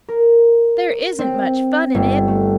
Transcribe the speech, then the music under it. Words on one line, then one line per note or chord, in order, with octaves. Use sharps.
There isn't much fun in it.
A#4
C4
G1
A3